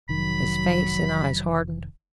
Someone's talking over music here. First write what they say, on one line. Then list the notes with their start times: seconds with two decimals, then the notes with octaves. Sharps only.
His face and eyes hardened.
0.09 F1 D#3 F#3 B5